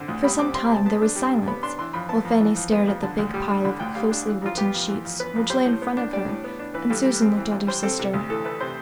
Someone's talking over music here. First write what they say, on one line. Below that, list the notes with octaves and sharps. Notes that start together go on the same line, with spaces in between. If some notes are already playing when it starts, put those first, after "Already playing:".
For some time there was silence while Fanny stared at the big pile of closely written sheets which lay in front of her and Susan looked at her sister.
Already playing: D3 C4
D2
G3 B5
C4 D6
G3 C6
B5
C3 A5
B3 A5
D4
G3
C3
B3 B5
D4 C6
E3 C6
F2 B5
B3 A5
F2
E3
F2
B3
F2
D3 A5
D2
G3
D4
D3 B5
D2 G5
G3 F5
D4
E3
F2 F4
B3 G4
F2
E3
F2
B3 B4
F2
G3 C5
A2
B3
D4
G3 D5
A2
B3
D4
E3 B4
G2 A4
G3
C4
E3
G2
G3 C5
C4 A4
C3
D2
E3 A4
A3 B4
C3 C5